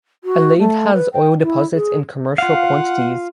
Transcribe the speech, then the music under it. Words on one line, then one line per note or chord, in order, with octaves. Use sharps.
Alade has oil deposits in commercial quantities.
F#4
A3
B4
G5
E4
G#4
F4 F5 F#5